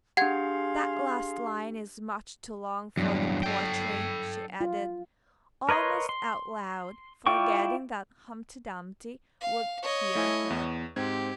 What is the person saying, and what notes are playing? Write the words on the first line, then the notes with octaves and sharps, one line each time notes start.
'That last line is much too long for the poetry,' she added, almost out loud, forgetting that Humpty Dumpty would hear her.
D4 G4 G#4 F5 F#5 C6 G#6
E2 G2 F#3 D4
A4 G5
F4
A#4 B4 C#5 D#5 C6
C6
E4 F4 D5 G5 C#6
F5
C#5 D#5
A3 E4 G#5
E2
G#2 C4 G4 G#6